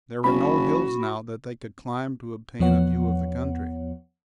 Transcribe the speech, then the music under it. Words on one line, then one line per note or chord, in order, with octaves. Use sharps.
There were no hills now that they could climb to obtain a view of the country.
F#1 F#4 B5
E2 F3 B3 C#5 F#5